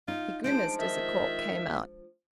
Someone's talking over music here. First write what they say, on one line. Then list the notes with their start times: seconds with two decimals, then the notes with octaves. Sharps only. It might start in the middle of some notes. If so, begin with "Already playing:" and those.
He grimaced as the cork came out.
0.08 D#4 F4
0.44 F3 G#3 D4 C5 D7
0.79 D#3 E5